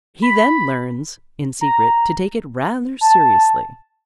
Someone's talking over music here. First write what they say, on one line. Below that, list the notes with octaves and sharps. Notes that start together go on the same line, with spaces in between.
He then learns, in secret, to take it rather seriously.
B5
A#5
A5